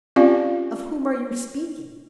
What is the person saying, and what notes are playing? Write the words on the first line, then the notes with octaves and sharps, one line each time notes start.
Of whom are you speaking?
C4 C#4 F4 G4 D5 F5